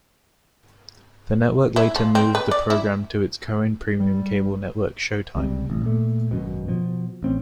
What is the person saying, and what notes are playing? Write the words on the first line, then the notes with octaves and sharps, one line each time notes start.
The network later moved the program to its co-owned premium cable network Showtime.
E4
F3
C4
B4
D5
E4
G3
C#2 C3 F#3 G3
A1
A#2 A3
G#1 F#2 B2
B2 F3
A1 C4 C#4